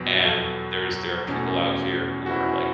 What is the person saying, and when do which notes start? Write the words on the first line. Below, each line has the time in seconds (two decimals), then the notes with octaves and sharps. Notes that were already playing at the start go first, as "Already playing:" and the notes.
and there's there are people out here who are, like,
Already playing: E2 B2 F#3 B4
0.25 A4
1.28 E2 B2 A3 C#4
2.26 F#4
2.31 E4